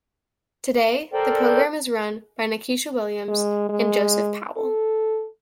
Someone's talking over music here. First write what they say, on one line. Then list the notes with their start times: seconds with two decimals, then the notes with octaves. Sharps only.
Today, the program is run by Nikisha Williams and Joseph Powell.
1.14 A4 A#4 C5 D5 G5
3.28 G#3
3.69 G#3
4.57 A4